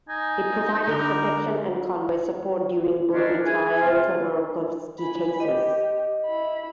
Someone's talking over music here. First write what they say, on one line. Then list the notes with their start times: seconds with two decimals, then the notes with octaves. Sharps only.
It provided protection and convoy support during both Mikhail Khodorkovsky cases.
0.09 D#4 G#5
0.87 D3 G3 A#4 G7
3.13 D2 B2 D#3 F3 C#4 D4
3.46 E3 G#4 G#5
3.81 C3 F4
5.00 G#5 B5
5.40 G4 D#5
6.26 E4 B5